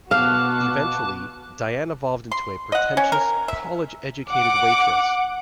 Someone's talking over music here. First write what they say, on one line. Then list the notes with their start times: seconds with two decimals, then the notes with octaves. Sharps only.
Eventually, Diane evolved into a pretentious, college-educated waitress.
0.11 B2 B3 F#4 F5 A5 D6 F#6
2.32 C6
2.72 D#5 F#5
2.97 C#4
3.12 A#4
3.48 E5
4.29 F#5 D6